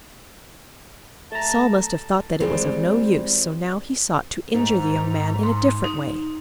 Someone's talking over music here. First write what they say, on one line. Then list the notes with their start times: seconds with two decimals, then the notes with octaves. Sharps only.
Saul must have thought that it was of no use, so now he sought to injure the young man in a different way.
1.32 A3 A5 A#5
2.40 E3 G3 G#3 C4
4.54 G#2 A#5
5.43 C6
5.84 D#4